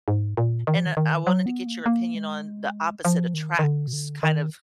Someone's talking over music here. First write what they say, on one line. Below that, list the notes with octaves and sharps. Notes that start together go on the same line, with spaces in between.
and I I wanted to get your opinion on the opposite attracts kind of,
G#2
A#2
D#3
F3
D#3
D#3
F#3
B3
A#3
A#3
G#3
F3
D#3
D#3
D3
B2
D3
D#3